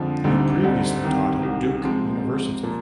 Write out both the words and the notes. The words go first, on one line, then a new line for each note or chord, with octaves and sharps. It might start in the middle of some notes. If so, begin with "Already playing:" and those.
He previously taught at Duke University.
Already playing: F2 D3 F3 G#3
D2 D3 G3 C4 D#4
D2 D3 G3 C4 D#4
C2 C3 D#3
C2 C3 D#3
C3 F3 G#3 C4
C3 F3 G#3 C4
A#2 F3 A#3